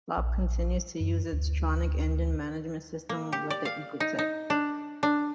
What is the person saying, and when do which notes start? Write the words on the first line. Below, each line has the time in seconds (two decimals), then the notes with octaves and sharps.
Saab continues to use its Trionic engine management system with the Ecotec.
0.17 A#1
1.00 F#2
1.33 D2
3.09 A#3
3.32 G4
3.50 D5
3.65 F5
4.00 D#4
4.19 D#4
4.50 D4
5.03 D4